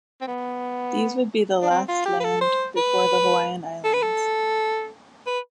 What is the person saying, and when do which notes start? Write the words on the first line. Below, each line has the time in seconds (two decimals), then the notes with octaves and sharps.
These would be the last land before the Hawaiian Islands.
0.21 C4
0.28 B3
1.62 D4
1.70 C4
1.88 F4
2.05 G4
2.20 B4
2.24 A4
2.41 C5
2.77 B4
3.84 A4
3.93 B4
4.02 A4
5.27 B4